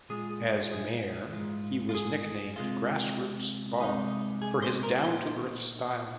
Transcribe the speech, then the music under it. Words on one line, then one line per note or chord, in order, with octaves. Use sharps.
As mayor, he was nicknamed "Grassroots Bob," for his down-to-earth style.
A#2 G#3 F4 G#4
F4
G#4
G#2 G#3 F4
F4
G#4
C3 G#3 F4
C2 C3 G#3 D#4
G#4
C5
A#4
A#2 A#3 D#4 C5